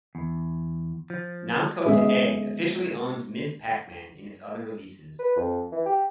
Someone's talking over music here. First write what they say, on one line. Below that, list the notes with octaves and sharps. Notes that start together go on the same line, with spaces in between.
Namco today officially owns Ms. Pac-Man in its other releases.
E2
F3
G#3 B3 C#4 G#4 E5
B4
F2
E3
G4